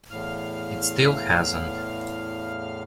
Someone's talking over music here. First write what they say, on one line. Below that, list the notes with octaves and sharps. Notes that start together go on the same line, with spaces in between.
It still hasn't.
E2 A2 F5 F6